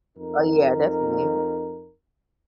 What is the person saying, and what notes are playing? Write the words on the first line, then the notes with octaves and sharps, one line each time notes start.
Oh, yeah, definitely.
F2 D#4 A#4